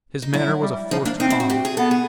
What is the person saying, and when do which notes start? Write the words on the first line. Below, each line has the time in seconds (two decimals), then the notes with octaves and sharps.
His manner was a forced calm.
0.22 D#4
0.34 F#3 E4
0.47 F#3
0.62 G3
0.91 F3 D#4
1.05 A#3 D4
1.20 C4 D#4
1.30 E4
1.40 F#4
1.50 G4
1.65 G#4
1.77 B3 A4
1.91 G#4